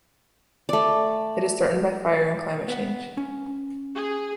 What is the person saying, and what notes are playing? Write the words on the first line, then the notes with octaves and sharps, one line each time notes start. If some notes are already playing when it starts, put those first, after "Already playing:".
It is threatened by fire and climate change.
A3 D5
B3 B4 F#5
C#4
G#4